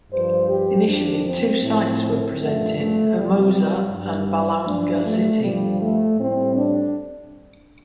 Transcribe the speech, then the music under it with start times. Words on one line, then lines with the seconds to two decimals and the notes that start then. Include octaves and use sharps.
Initially, two sites were presented: Hermosa and Balanga City.
0.12 G2 F3 C5
0.49 G4
0.87 F2 F3 D4
1.25 C4
1.63 A2 F3
2.39 G2 F3 A3
2.77 A3
3.14 F2 C3 F3 G3
3.53 G3
3.91 G2 G3
4.66 G2 F3 D4
5.04 A3
5.42 G2 F3 G3
5.80 A3
6.18 A2 G3 C4
6.56 D4